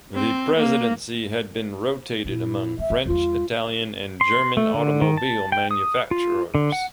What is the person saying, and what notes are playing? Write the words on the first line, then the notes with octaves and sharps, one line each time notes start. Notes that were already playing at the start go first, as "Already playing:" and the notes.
The presidency had been rotated among French, Italian and German automobile manufacturers.
C4
A#3
A#2 E4
A#3 E5
B3
E2 G3 F4
C6
A3
D3
D#3
A5
G5
D#6
F4
D3
F#5